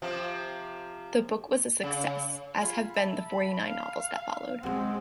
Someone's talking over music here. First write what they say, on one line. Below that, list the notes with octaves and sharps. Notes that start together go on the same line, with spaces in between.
The book was a success, as have been the forty-nine novels that followed.
C3 F3
C#3
F4 G#4 B5
E5 A5
B5
F5
G#3 C4 F#4 C6